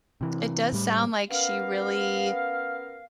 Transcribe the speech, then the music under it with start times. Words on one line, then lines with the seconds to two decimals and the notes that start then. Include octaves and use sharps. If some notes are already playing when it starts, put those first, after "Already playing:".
it does sound like she really
0.21 C3 E3
0.73 A2 G3
1.31 B3 C#4 A#4 F5